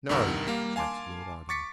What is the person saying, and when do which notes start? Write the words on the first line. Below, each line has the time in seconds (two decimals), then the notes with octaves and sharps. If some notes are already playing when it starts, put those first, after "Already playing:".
"No," shouted Lord Arden.
0.09 C2 G2 D#3 A#4 F#5 E6
0.47 G3 A#3 F5
0.76 F5 G#5 A5 C6 D6
1.49 C#6 D6 A6 B6 C#7